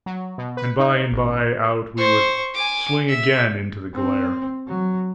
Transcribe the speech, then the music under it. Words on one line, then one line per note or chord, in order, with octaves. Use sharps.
And by and by out we would swing again into the glare.
F#3
B2
B4
D#4
A1
C5 C#6
G#5 D6
E5
C4
F#3